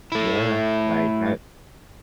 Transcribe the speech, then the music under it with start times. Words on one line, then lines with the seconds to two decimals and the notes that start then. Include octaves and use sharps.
Yeah. Like, I
0.12 A3 E4